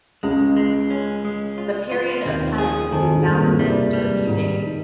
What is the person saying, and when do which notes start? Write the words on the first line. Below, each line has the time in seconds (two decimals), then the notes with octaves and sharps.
The period of penance is now reduced to a few days.
0.23 C#2 C#3 G#3
0.57 G#3
0.90 C#4
1.25 G#3
1.58 F4
1.91 F4
2.25 D#2 D#3 C4
2.58 G#4
2.92 F2 D#3 F3
3.15 G#2 G#3
3.26 G2 C4
3.37 A#2 A#3
3.59 C3 G3 C4
3.93 G3
4.27 G#2 D#3 D#4
4.66 D#4